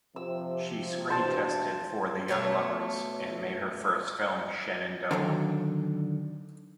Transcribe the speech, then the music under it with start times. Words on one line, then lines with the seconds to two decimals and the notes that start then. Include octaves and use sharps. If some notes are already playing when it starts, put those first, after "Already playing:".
She screen tested for "The Young Lovers" and made her first film, "Shenandoah".
0.16 C3 F3 E6
1.10 E2 G2 B2 C5 A5
2.28 B2 A3 C#5 A5
5.11 D3 D#3 F3 F#3